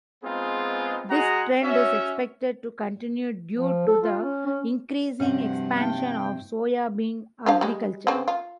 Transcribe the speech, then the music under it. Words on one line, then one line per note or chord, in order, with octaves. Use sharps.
This trend is expected to continue due to the increasing expansion of soybean agriculture.
G#3 B3 C4 D#4 F4 G#4
G#3 F#4 G#4 D#5 F#5 A#5
C#4 F#4 C#5 E5
F3
A4
F4
C#4
C#4
G2 C3 F3 F#3 C4 F#5
A#3 D#4 G5
F3 D4 F5
G3 G#3
C#3 B3 C4
F4